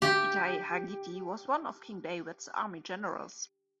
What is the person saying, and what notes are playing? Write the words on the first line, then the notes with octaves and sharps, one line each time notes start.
Itai haGiti was one of King David's army Generals.
G4